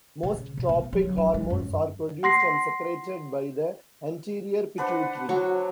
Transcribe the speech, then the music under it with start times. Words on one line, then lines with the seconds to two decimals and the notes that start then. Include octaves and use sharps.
Most tropic hormones are produced and secreted by the anterior pituitary.
0.23 C#3
0.57 C3
0.69 B3
0.93 F#3
1.18 D4
1.34 G#3
1.50 F#2
2.23 F#5 C6 A#6 C7
4.78 D4 B4 C5 F#5
5.29 F#3 F#4